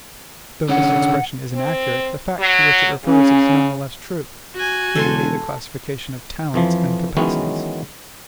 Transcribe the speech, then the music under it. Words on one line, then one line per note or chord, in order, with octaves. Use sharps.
Though this expression is inaccurate, the fact to which it refers is none the less true; namely, the classification of talents and capacities.
D3 C#4 F#5
C4
F#3
C#3 C#4
F#4 G#5
E1 A4 F5 C6
F2 E3 F3
D#3 E3 F#3 G#3 B3 C#4